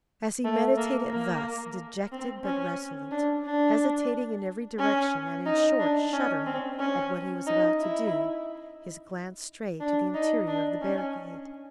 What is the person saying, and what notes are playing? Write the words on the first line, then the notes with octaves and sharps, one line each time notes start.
As he meditated thus, dejected but resolute, hesitating in every direction, and, in short, shuddering at what he was about to do, his glance strayed to the interior of the barricade.
A3
A#3
A#3
C4
C#4
D4
D4
C#4
D#4
D4
C#4
C4
C#4
D#4
E4
D4
D#4
D4
C#4